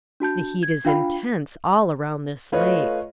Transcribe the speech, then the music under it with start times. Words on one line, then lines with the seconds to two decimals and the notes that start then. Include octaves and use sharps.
The heat is intense all around this lake.
0.20 D4 F#4 A5 G6
0.63 G#6
0.85 D4 F4 F5 G5 B5
2.52 A3 F4 B4 C#5 D#5